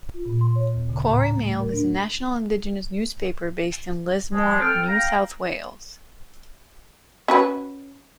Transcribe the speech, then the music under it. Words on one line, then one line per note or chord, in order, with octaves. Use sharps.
Koori Mail is a national indigenous newspaper based in Lismore, New South Wales.
F4
A#2
C6
C#5
D2
C#3
A2
A#5
A3
A#4
D4
F3 G#3
C4 A4 G5 F6
F5 G5 A#5
C#4 F#4 B4